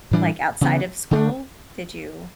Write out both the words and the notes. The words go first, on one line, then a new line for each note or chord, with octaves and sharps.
like, outside of school? Did you
A2 E3 G3 D4
C#3 E3 B3
D3 A3 D4